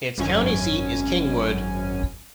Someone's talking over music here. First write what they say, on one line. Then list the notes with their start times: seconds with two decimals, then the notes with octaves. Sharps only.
Its county seat is Kingwood.
0.18 G#1 F#2 C#4 G#5